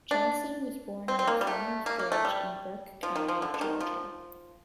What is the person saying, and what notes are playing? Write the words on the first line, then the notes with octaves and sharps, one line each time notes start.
Johnson was born near Farmer's Bridge in Burke County, Georgia.
D4
C4
C4
A#3
G3
A3
A#3
A#3
A3
G3
F3
D#3
F3
D3
D3
D#3
F3